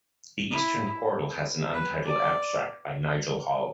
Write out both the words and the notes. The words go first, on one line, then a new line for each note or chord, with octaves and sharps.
The eastern portal has an untitled abstract by Nigel Hall.
E4
B4
D5